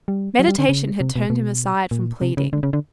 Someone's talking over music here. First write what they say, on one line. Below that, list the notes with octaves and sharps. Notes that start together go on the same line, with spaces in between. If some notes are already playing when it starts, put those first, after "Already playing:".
Meditation had turned him aside from pleading.
G3
F#3
G3
D3
C#3
C3
B2
B2
A#2
C3
C#3
D3
C#3
D3